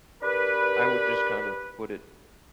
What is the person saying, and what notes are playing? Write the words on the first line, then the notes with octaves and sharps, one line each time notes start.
I would just kind of put it
D4 G4 A#4 B4